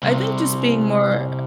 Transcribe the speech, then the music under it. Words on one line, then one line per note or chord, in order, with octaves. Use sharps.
I think just being more
C2 C3